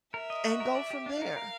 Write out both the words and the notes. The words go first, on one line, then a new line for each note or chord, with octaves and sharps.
And go from there.
A#4 E5
D#5
F#4
A#4
D5
G4
D4 F5
A#4
A#4